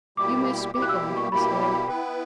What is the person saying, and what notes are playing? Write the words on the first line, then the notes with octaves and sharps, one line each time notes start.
'You may speak on, Miss Hale.
B2 G3 A#3 E4 G4 D6
B2 G3 A#3 E4 G4 D6
F#6
E6
C#6
B2 G3 A#3 E4 G4 B5
B5
B3 E4 B4 G5